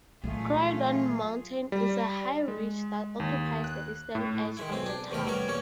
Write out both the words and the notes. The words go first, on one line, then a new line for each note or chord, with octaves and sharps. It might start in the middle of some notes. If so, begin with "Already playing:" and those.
Croydon Mountain is a high ridge that occupies the eastern edge of the town.
A#2 E3 F#3 G#3 A3 F4 G#4
G3
G#3
D#2
F#6
A2
D#3 G#3 E4
B1 C4 G#4
D4
E2 C3 D#3 A3 A#4
G3 B3 A#4 C#5
E2 A#3 C#4 C#5